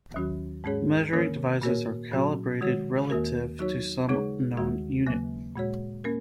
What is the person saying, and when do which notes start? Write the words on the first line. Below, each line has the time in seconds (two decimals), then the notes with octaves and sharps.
Measuring devices are calibrated relative to some known unit.
0.14 D#2 D#3 F#3 C#4 F#4
0.64 G#2 G#3 C#4 G#4 C#5
1.13 D#3 A#3 C#4 A#4 C#5
1.62 A#2 A#3 F#4 A#4 C#5
2.11 A#2 F#3 C#4 F#4
2.61 D#3 G#3 F#4 C#5
3.10 D#2 D#3 A#3 F#4 A#4
3.59 F#3 D#4 F#4 C#5
4.09 C#3 G#3 D#4 G#4 C#5
4.57 D#2 D#3 G#3 F#4
5.07 D#2 C#3 F#3 A#3
5.56 A#2 G#3 F#4 C#5
6.04 A#3 C#4 A#4